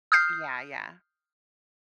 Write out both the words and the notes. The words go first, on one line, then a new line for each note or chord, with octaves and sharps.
Yeah, yeah.
D#6 F6 G6 C7